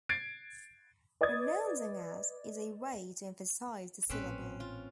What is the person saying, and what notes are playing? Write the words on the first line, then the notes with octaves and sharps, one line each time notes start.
Pronouncing as is a way to emphasise the syllable.
G#6 A6 C7 D7
B4 D5 D#5 D#6 G#6 A6
A1 A#2 C4 C#4 B4
F4